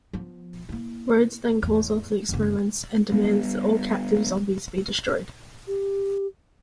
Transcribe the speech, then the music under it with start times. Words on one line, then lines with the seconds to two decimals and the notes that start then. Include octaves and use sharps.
Rhodes then calls off the experiments and demands that all captive zombies be destroyed.
0.13 F3 B3
0.69 A#3 E4
1.62 E2 A2
2.29 F#1 C#3
3.12 G3 B3
5.67 G4